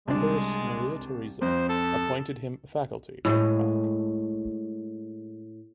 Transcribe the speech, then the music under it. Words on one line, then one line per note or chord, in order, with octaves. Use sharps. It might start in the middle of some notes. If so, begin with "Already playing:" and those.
Empress Maria Theresa appointed him faculty at Prague.
C2 G#3 D4
F2 C5
A4
A2 G#3